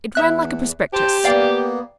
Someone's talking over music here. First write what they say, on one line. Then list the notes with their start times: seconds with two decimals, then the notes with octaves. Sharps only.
It ran like a prospectus.
0.15 E2 E5 F#6
0.93 G4 C5 A5
1.24 A#3 B3 D5 F5 G5